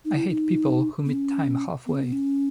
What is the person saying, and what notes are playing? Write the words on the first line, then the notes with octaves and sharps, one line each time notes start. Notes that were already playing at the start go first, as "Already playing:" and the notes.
I hate people who meet time halfway.
D#4
E4
D#4
B3
C#4
B3
C#4
B3
C#4